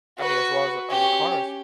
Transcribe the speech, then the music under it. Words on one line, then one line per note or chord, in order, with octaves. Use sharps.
I mean, as well as the as the cars
F#4 B4
C#4 G4